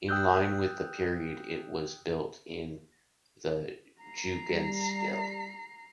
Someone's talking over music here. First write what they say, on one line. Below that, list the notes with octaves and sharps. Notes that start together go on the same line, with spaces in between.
In line with the period it was built in the Jugendstil.
G5 D#6 E6 F#6 G6
A#5 C7
G3